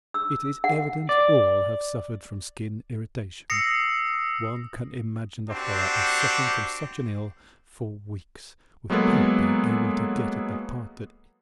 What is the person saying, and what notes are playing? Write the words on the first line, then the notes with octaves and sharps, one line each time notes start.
It is evident all have suffered from skin irritation--one can imagine the horror of suffering from such an ill for weeks without being able to get at the part that itched.
E6
F#5
D5
D#6 E6 A#6 C7 C#7
C4 D4 F#4 G4
F#3 G#3 A#3 B3 G#4 A4